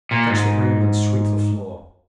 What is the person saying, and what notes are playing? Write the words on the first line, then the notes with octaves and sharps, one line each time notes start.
Fetch the broom and sweep the floor.'
A#2
G#2